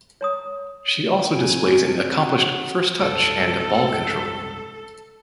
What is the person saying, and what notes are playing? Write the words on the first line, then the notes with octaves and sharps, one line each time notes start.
She also displays an accomplished first touch and ball control.
C#5 A#5 D#6
F2 G#5
F#3
F#1 C2 G#2 A4